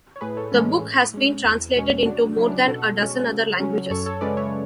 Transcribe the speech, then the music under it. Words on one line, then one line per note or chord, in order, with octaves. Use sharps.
The book has been translated into more than a dozen other languages.
C#5
A2 G#4 B4
A4 C#5
E3 G#3 C#4
A2
G#3 C#4
E2
B2 G#3 C#4
C#3 D4 F#4
F#3 C#4 E4
D4
B2 F#4 A4
G#3 C#4
C#3
F#3 C#4
F#2 A4 C#5
A4 C#5
C#3 G#3 C#4 B4 D5
C#5 E5